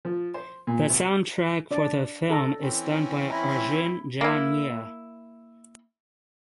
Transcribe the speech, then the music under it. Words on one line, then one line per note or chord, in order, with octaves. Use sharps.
The sound track for the film is done by Arjun Janya.
F3
C5
A#2
C2
D4 D5
A4 A#5
E3 C4 C#4
E4 A#5
A#3 E4